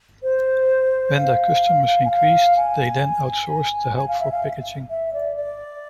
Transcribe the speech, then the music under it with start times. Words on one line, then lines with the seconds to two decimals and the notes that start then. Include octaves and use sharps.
When their customers increased, they then outsourced the help for packaging.
0.23 C5
1.17 F5
2.05 G#5
2.10 F5
2.57 G#5
3.96 G#5
4.08 F5
4.20 E5
4.32 F5
4.90 E5
5.13 D5
5.37 D5